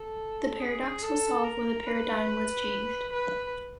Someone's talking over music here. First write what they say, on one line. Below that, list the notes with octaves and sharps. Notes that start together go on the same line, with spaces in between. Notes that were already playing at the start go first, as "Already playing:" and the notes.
The paradox was solved when the paradigm was changed.
Already playing: A4
G#4
A4
A#4
B4
B4